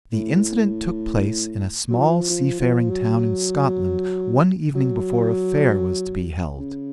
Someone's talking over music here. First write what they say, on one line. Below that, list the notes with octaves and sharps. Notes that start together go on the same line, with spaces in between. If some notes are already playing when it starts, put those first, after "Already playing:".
The incident took place in a small seafaring town in Scotland one evening before a Fair was to be held.
A2
F#3
F3
F3
F3
F#3
F#3
C#3